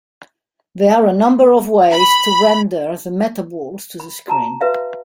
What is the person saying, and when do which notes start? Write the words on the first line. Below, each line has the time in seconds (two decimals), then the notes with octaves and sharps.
There are a number of ways to render the metaballs to the screen.
1.93 B5
4.00 B5
4.28 F#4 A5 A#5
4.61 F#4 B4 E5 F5